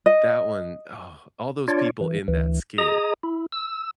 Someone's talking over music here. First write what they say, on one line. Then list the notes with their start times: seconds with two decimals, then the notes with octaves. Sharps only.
that one. Oh, all those people in that skit
0.06 D#5
1.68 D4 F4 C#5 D5
2.01 E3
2.28 D2 E3
2.78 G#4 D#5 A#5 D#6
3.23 E4
3.52 E6